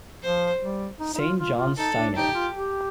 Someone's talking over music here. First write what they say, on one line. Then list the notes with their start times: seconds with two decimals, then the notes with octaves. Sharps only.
Saint John Steiner.
0.23 F3 C5
0.60 G3
1.00 D#4
1.14 D#4
1.19 F4
1.39 F4
1.57 F4
1.77 D#4 A4
1.96 D4
2.16 D#4 G4
2.34 F4
2.53 G4